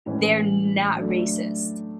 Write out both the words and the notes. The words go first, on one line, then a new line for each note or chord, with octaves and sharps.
they're not racist.
A2 E3 G#3 C#4
F#3 A3 D4